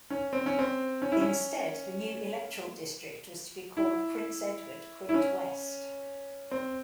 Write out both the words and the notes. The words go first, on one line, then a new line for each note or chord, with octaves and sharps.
Instead, the new electoral district was to be called Prince Edward-Quinte West.
C#4
C4
C#4
C4
C#4
E4
C#4
E4
E4
C#4
C4